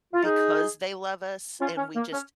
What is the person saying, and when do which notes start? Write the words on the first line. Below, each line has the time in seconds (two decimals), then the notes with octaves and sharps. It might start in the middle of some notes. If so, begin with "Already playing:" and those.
because they love us, and we just,
0.13 F4
0.23 D#4 G#4
1.60 C#4 F4
1.77 C#4
1.94 A#3
2.11 C#4